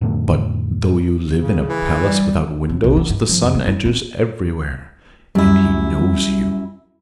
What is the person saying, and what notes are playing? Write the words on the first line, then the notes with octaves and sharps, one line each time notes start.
But though you live in a palace without windows, the Sun enters everywhere, and he knows you.'
F2 A2 D3 A3
C#3
E3
G3
C#3
B1
B3
G2
F3
F2
G#3
E4
C4
F#2 G3 E4